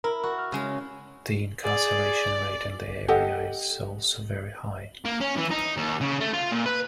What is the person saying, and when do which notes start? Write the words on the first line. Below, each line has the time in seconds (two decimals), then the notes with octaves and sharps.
The incarceration rate in the area is also very high.
0.04 E4 A#4
0.23 F#4
0.39 F6
0.52 C#3 G#3
1.64 G#4 D5
3.08 G4 A4 D#5 F#5
5.05 A#3
5.21 C#4
5.37 E3
5.51 D#4
5.77 D#2
6.01 C#3
6.21 A3
6.34 F4
6.52 A#2
6.66 B4